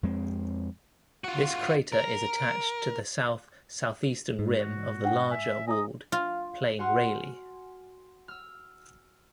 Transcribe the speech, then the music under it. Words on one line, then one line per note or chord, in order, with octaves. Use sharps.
This crater is attached to the south-southeastern rim of the larger walled plain Rayleigh.
F2 G#3 C4
F4 F#4
A#4
G#2
F#4
D4 F#5 G5
E5 G#5
D#5 G#5 A#5 D#6
F4
F#4 F#5 G#5 C6 F6 F#6
E6 F6